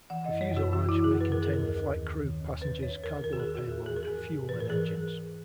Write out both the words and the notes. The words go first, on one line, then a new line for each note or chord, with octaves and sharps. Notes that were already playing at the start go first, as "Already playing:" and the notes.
The fuselage may contain the flight crew, passengers, cargo or payload, fuel and engines.
E3 F#5
D#5
F#2
C#5
F#2 F#4
E3 F#4
E4
E3
G#4
F#2
B4
D#3 A#4
G#4
D#2 A#4
D#2
D#3
D#3
D#2
D#3 B4
E2 C#5
E2 A#4
D#3 A#4
F#4
G#4
D#3
F#4
E2
E3 G#4
A#4
G#4
G#2
G#2
E3 B4
A#4
E3 G#4